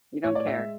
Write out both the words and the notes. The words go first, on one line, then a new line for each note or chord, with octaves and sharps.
You don't care.
A2 C#5
D5
E5
G#3